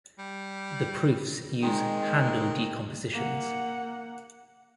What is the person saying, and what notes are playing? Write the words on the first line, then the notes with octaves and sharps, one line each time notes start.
The proofs use handle decompositions.
G3
D#3 G#3 C4 D#4
A#3 F#5